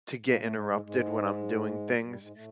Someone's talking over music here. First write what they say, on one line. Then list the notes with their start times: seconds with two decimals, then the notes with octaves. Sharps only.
to get interrupted when I'm doing things,
0.25 A#2 A#3
0.40 A2 A3
0.54 G#2 G#3
0.69 G#2 G#3
0.84 G#2 G#3
2.00 F#3
2.04 G2 G3
2.19 G#2 G#3
2.33 A2 A3